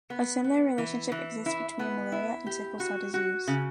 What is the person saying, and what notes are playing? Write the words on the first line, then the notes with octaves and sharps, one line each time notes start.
A similar relationship exists between malaria and sickle-cell disease.
B3
B3
E3
E3
E4
B3
E4
G4
F#4
F#4
C#3